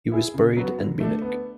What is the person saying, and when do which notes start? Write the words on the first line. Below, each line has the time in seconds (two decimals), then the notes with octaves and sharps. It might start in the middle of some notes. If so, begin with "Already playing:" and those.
He was buried in Munich.
0.12 E4 G#4
0.34 C#3
0.57 F#3 B3 F#4
0.78 D3
1.00 A3 D4
1.22 B3